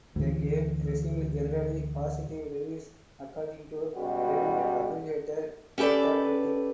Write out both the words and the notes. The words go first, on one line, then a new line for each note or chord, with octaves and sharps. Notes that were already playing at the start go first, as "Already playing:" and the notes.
The game received "generally positive reviews" according to review aggregator Metacritic.
D2 A2 E3
C#2 B2 G3 F#4
C#4 G4 A4 B4 D5